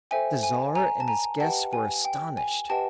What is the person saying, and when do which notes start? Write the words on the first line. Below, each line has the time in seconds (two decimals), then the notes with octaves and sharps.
The Tsar and his guests were astonished.
0.11 A4 C5 E5 G5 G#5
0.43 G#5
0.75 G#5 A#5
1.00 A5
1.08 G#5 A#5
1.40 G4 B4 D#5 F#5 G5 A5
1.73 G#5
2.05 G5
2.37 G#5
2.69 G4 B4 D#5 F#5 G5 A5